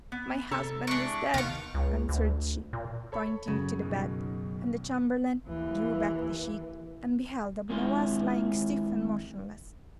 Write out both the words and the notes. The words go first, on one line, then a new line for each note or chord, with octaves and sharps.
'My husband is dead,' answered she, pointing to the bed; and the chamberlain drew back the sheet and beheld Abu Nowas lying stiff and motionless.
B3
C3 A4 A#5
E3 G#3 D4 C#6
D#2 C3 D#3 B3 D#4 F5 C#6
C#2
D2
A#2
A4 C#5 B5
F#2 C#3
B1 B2 D#3
D#2 E3
D#2 G#3 C4 E4 F4 C6